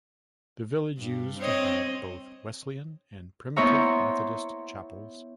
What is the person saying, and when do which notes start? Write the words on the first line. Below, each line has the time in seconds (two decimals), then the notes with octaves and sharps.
The village used to have both Wesleyan and Primitive Methodist Chapels.
0.98 G2
1.39 C4 C#5 D#5
3.56 B3 E4 C5 C#5 E5 A#5